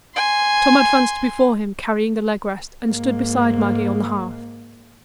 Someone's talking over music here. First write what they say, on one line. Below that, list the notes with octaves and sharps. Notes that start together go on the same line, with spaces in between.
Tom advanced before him, carrying the leg-rest, and stood beside Maggie on the hearth.
G#5 C6
G#2 A#3